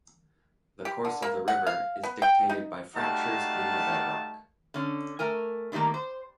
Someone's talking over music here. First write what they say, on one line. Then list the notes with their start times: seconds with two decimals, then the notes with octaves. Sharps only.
The course of the river is dictated by fractures in the bedrock.
0.85 G4
1.05 D3
1.22 A#3
1.48 F#5
1.67 F5
2.03 B3
2.22 G5
2.49 D#4
2.95 G3 A3 D#4 F#4 F5 A5
4.74 D3 C#4
5.19 A3 A#4 G#5
5.72 D3 D#3 G3 A3 A#3
5.94 C5